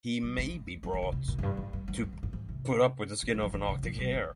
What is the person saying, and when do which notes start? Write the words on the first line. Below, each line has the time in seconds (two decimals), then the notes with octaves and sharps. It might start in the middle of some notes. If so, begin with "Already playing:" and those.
He may be brought to put up with the skin of an Arctic hare.
0.23 G3
0.38 G#3
0.83 G3
0.93 D#3
1.02 C#3
1.12 C3
1.28 A#2
1.38 F2
1.43 G2
1.57 G#2
1.73 G2
1.88 G2
2.03 G2
2.13 F2
2.23 G2
2.33 G#2
2.49 C3
3.23 C#3
3.34 G3
3.43 F3
3.54 D#3
3.68 C#3
3.83 F3
3.99 G3
4.13 G#3